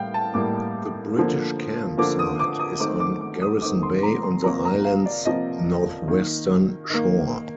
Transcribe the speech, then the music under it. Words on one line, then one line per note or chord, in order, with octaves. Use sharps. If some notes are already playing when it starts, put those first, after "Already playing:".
The British Camp site is on Garrison Bay on the islands northwestern shore.
Already playing: A2 G3 A#3 F5 G5
A5
A2 G3 A#3 D6
D3 F3 A#3
D3 F3 A#3 D6
D#6
D6
D#6
D#3 A3 C4 D6
D6
D6
D#6
D#3 A3 C4 D6
C6
A#5
C6
C3 F3 A#3 A#5
A#5
F5
D5
C3 F3 A#3 D#5
D#3 A#3
D#3 A#3